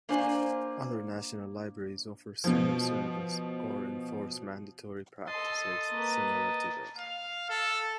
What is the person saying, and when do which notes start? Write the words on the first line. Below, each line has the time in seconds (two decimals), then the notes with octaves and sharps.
Other national libraries offer similar services or enforce mandatory practices similar to this.
0.09 A#3 D4 F4 C5 G#5
2.44 B2 F3
5.28 A4 D#5 A5 C6
5.89 A#3 B4
6.98 F5
7.50 A4